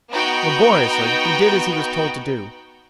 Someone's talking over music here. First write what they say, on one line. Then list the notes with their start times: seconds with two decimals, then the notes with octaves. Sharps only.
Laboriously, he did as he was told to do.
0.11 B3 D#4 F#4 G5